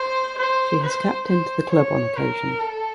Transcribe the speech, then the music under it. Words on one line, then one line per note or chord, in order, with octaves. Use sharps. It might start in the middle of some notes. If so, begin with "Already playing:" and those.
She has captained the club on occasion.
Already playing: C5
C5
C5
C5
C#5
A#4
A4